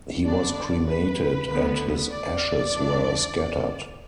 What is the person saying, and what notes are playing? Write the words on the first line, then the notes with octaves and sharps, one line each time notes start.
He was cremated, and his ashes were scattered.
D3 B3 D4 D5
B4
D2 D3 B3
D5
E2 E3 D4